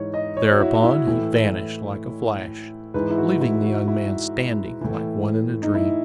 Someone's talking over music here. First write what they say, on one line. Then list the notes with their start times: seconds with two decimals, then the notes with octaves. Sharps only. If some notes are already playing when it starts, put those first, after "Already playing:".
Thereupon he vanished like a flash, leaving the young man standing like one in a dream.
Already playing: G#2 E3 C#5
0.14 D#5
0.37 C#5
0.52 F#4
0.60 E4
0.84 E4
1.07 A2 E3
2.94 G#2 E3 B4
3.11 E4
3.18 F#4
3.41 E4
3.64 F#4
3.88 E4
4.81 A2 E3
5.63 D#4
5.75 E4